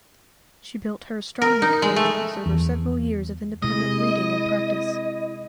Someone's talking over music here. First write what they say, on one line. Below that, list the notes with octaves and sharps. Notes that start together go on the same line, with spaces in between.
She built her astronomy credentials over several years of independent reading and practice.
A#4
D#4
G#3
A3
E2
C3 G#3 E4 D#5